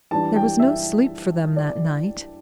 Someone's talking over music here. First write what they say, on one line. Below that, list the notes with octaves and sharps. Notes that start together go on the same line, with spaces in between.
There was no sleep for them that night.
E3 G3 D4 A5
G5
E5
D5